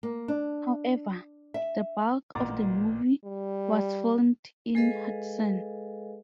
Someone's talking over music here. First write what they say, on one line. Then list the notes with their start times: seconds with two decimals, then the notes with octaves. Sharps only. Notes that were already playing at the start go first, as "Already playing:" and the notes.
However, the bulk of the movie was filmed in Hudson.
0.03 A#3
0.28 D4
1.54 E5
2.35 A1 A#2 F#5 A#5 D6 A6
3.25 G3
4.75 G#3 G#4 A4 B4 D#5 F5